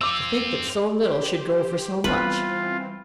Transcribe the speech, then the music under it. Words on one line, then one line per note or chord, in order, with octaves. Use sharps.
'To think that so little should go for so much!
C4 F4 D6 E6
G4 C5
E3 G3 B3 C4 F4 B4 B5